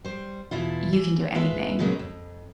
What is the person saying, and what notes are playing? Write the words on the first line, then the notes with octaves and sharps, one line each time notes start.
You can do anything,
G3 C5
E2 B2 E4 F4
E3
G#3 F4 B4 E5
A#2 C#3 F#3 G#3 A#3 B3
F2